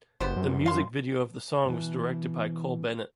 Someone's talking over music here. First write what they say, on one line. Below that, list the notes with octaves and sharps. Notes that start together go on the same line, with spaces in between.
The music video of the song was directed by Cole Bennett.
F#1 B3 G4 C5
F#2
F5 C6
B2 E3